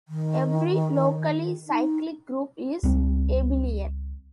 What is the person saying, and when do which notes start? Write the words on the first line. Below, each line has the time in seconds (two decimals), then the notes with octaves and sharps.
Every locally cyclic group is abelian.
0.08 D#3
1.67 D#4
2.83 C#2 G3 C4